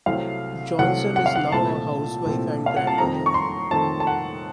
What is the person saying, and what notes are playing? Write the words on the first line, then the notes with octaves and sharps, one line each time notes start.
Johnson is now a housewife and grandmother.
C2 C3 F#3 A3 C4 F5
C2 C3 F#3 A3 C4 F#5
F#5
F5
F#5
C2 A#2 A3 C4 A5
C2 A#2 A3 C4
F5
F#5
A5
F2 D#3 A3 C4 A#5
C#6
C6
F2 D#3 A3 C4 A5
A5
F#5